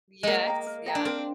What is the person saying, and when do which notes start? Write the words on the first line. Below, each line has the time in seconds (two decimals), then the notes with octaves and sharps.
Yes, yeah.
0.23 G#3 A#3 A#4
0.47 D#5 G5 A#5
0.67 A#4
0.86 D#5 G5 A#5
0.95 D4
1.05 C4 A#4